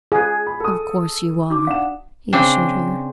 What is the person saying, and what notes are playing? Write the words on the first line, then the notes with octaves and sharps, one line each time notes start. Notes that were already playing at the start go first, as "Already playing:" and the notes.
"Of course you are," he assured her.
F4 G#4 C5
B5
A4 D#6
D#4 F#4 D6
D4 F5 F#5 E7
C#3 C4 D4